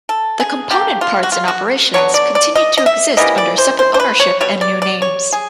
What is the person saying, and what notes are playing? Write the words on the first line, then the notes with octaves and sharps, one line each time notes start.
The component parts and operations continued to exist under separate ownership and new names.
A4
G#4
D3 G3 A#3 G4
F4
F#4
F4
F#4
D3 F#3 B3 C#5
D5
D5
D#5
D#5
E5
C3 E3 G3 A#3 D#5
D5
C5
C5
C5
B4
C#5
B2 G3 C#5
D5
D5
C#5
G#4